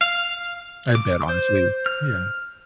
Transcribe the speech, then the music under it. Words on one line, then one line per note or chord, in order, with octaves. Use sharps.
I bet, honestly. Yeah.
F5
D6
C5
F6